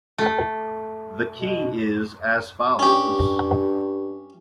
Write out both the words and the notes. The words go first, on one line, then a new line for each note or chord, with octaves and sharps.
The key is as follows.
A3
B2
G2 C#4 G4